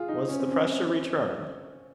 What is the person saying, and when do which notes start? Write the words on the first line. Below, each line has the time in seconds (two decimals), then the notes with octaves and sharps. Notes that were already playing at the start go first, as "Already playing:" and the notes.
Was the pressure returned?
Already playing: F4 G#4
0.08 D#4
0.28 C#4
0.39 C4
0.51 C#4